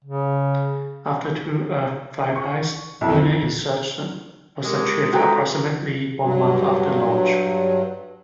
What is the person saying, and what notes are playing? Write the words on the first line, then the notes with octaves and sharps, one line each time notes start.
After two Earth flybys, lunar insertion was achieved approximately one month after launch.
C#3
C#6
B1 F2 E4 A5
G#3 G4 A#4
F#4 A4 B4 G5 A#5
G2 F#3